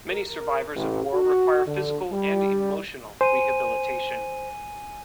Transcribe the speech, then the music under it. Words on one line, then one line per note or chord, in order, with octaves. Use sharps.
Many survivors of war require physical and emotional rehabilitation.
A#4
A1
F#4
D3
G3
C5 G#5 D#7